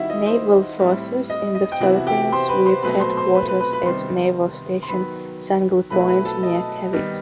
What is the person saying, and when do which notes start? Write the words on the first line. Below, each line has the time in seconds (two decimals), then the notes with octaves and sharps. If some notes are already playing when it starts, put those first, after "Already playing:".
Naval Forces in the Philippines with headquarters at Naval Station Sangley Point near Cavite.
Already playing: D#3 G3 D#4 E4 F#4 E5 F#5
0.10 D#5
0.27 C5
0.78 A2 G3 C4 E4
1.30 D#5
1.55 D#5
1.72 G5
1.80 C3 E3 B3 E4 F#4 F#5
2.07 G4 G5
2.32 C5 C6
2.49 B4 B5
2.66 C5 C6
2.83 B2 F#3 A3 B4 B5
3.00 C5 C6
3.17 C5 C6
3.34 B4 B5
3.48 B4 B5
3.60 B4 B5
3.73 B4 B5
3.86 C3 D#3 G3 B3 D#4 C5 C6
4.83 C6
4.88 D#3 F#3 B3 B4 B5
5.90 B2 F#3 A3 E4 B4 B5
6.08 B4 B5
6.25 A4 A5
6.43 D#5
6.93 D#3 G3 B3 D#4